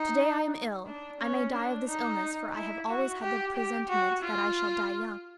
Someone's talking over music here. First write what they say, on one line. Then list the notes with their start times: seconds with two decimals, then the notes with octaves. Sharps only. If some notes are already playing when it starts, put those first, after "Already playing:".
To-day I am ill; I may die of this illness, for I have always had the presentiment that I shall die young.
Already playing: D#4
0.87 D4
1.20 C#4
1.53 D4
1.87 D#4
2.54 E4
2.88 F#4
3.21 G4
3.55 G4
3.88 F#4
4.22 F4